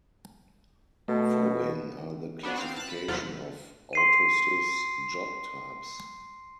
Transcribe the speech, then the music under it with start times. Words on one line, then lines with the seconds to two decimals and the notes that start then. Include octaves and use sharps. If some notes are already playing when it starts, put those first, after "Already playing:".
Following are the classification of autosys job types.
1.08 B2 A3
2.43 B3 D4 F#4
2.57 C4 F5
2.76 A5 F#6
2.90 B5
3.08 E2 C3 F#3 F4 A4 F#5
3.93 C6 C7 D#7